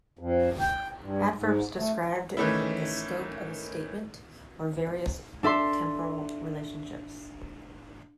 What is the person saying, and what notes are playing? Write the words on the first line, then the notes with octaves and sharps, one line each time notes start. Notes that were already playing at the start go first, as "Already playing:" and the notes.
Adverbs described the scope of a statement or various temporal relationships.
F2
G5
G2
G#2
A3
D#3 E3 A3 C#4 E4
D4 A4 E5 C6